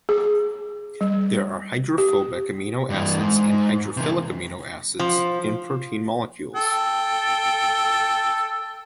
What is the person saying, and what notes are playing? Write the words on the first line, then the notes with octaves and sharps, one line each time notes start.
There are hydrophobic amino acids and hydrophilic amino acids in protein molecules.
G#4
G3
G4
G2 E3
G#2
C3 E3
F3
A4 G5